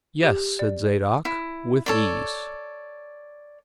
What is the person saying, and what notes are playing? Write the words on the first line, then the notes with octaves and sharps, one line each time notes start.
"Yes," said Zadok, "with ease."
G4
D5
E4
A4 C#5 D5